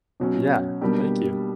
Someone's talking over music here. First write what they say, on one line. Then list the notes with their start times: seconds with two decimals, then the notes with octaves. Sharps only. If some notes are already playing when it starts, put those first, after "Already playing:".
Yeah, thank you.
0.20 B2 F#3 C#4
0.81 B2 G3 A#3 D4 G4